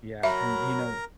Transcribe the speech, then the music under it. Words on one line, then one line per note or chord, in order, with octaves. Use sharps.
Yeah, and, y you know
F#3 A#4 E5 A#5 B5